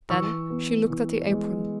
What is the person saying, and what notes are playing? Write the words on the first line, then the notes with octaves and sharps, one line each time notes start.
Then she looked at the apron.
E3 C#6 E6
B3
E3
G#3